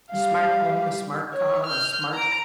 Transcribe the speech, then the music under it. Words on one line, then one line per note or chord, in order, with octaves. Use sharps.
A smart home, a smart car, a smart
G3 G4 F5
C#5
F6 G6
A#5 D7